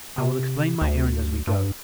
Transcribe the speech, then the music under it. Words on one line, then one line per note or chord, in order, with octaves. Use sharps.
I will explain my errand as we go.
C3
D2
G2